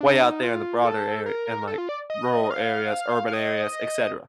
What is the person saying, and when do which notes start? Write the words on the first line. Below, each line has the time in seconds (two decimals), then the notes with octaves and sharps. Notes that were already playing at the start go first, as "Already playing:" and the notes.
way out there in the broader are and, like, rural areas, urban areas, etcetera.
0.01 D4
0.22 D#4
0.43 F4
0.85 A4
1.26 A#4
1.67 A4
1.78 F4
1.89 D5
2.10 D#5
2.50 F5
3.28 F5
3.34 D#5